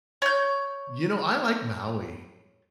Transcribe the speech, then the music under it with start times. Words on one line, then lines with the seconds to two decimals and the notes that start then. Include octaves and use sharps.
You know, I like Maui.
0.22 C#5 G6